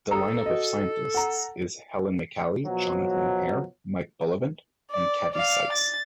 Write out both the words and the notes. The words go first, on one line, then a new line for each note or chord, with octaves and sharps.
The line-up of scientists is Ellen McCallie, Jonathan Hare, Mike Bullivant, and Kathy Sykes.
A4 A#5 D#6
F#4 D#5
F#5 A#5
B2 F3 F#3
D5
D5 F5
A6